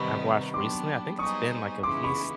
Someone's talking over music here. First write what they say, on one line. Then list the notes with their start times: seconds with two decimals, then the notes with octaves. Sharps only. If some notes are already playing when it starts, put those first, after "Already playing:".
I've watched recently, I think it's been, like, at least
Already playing: C3 D#3 G3 B3 D#4 B5 C#6
0.54 F#3 B3 D4 G4 C6 D6
1.19 G3 B3 D#4 G#4 C5 C#6 D#6
1.82 C#3 E3 G#3 B3 E4 C6 D6
2.04 B5 C#6